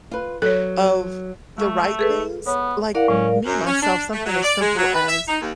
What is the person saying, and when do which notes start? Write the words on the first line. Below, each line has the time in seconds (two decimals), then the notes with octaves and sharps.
of the right things, like, e me, myself, something as simple as
0.11 F4 B4
0.42 F#3 A4 C#5
1.58 G#3 A3 C#6
1.99 G#4 A4 B4
2.47 B3 C#5
2.95 E4 A#4 D5 F5 F#5
3.08 A2 F#3 G#3 C#4
3.45 F#2
3.66 C#4
3.82 D4
4.12 A3
4.26 F#3
4.43 D5
4.61 G#3
4.77 F#3
4.93 B4
5.08 E5
5.28 D#4
5.41 D#2